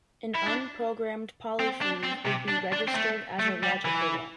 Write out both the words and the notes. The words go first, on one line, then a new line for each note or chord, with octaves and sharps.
An unprogrammed polyfuse would be registered as a logical one.
E4
D4
C4
D4
C4
C3
D4
D4
C4
A3
A3
G3
E3